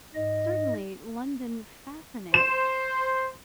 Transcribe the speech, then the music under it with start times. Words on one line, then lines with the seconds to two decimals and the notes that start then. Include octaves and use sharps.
Certainly London fascinates.
0.15 G#2 D#5
2.34 C5 E7